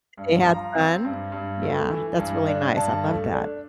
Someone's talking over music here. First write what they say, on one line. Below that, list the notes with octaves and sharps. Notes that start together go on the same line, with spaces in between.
They had fun? Yeah, that's really nice. I love that.
G2
F3 A#5
C4
G2
G2
A3
E3
G2
D4
G2 A5
A3
D4